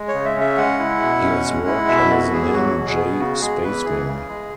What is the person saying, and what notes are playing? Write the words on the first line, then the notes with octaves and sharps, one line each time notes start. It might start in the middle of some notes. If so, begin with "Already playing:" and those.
He has worked under the name J. Spaceman.
Already playing: G#3
C#5
C#3
E5
C#4 E5
G#3 F#5
E4
B2
C#4
G#3
E4
B2 E5
B3 F#4
E2 G#4
F#3 F#4
B2
G#4
B3
C#3 F#4
G#3 G#4
E2 B4
E3 G#4
C#3
G#3